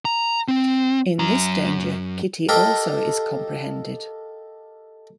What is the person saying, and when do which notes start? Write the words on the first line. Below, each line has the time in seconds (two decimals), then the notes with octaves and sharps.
In this danger Kitty also is comprehended.
0.05 A#5
0.48 C4
1.19 F#2 A#5
2.49 G4 A4 A#4 D#5 F5